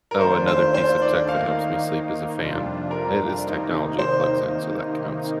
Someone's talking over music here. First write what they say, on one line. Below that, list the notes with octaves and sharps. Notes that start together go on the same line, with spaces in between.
Oh, another piece of tech that helps me sleep is a fan, it is technology, it plugs in, so that counts,
A#4
D#2 D#3 A3 D4 F4 C5
C5
C5
D5
D#3 A#3 D#4 F5
F2 C3 G3 D4 F4
A#4
C3 D#3 A#3 D#4
C5